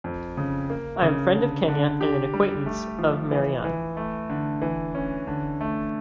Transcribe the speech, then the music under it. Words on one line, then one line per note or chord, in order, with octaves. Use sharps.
I am friend of Kenya and an acquaintance of Marianne.
F2
C#3
A#3
C#3
D3
D3
G4
G3
A3
F3
E3
E3
A3
D3
E3
C#4
D3
A3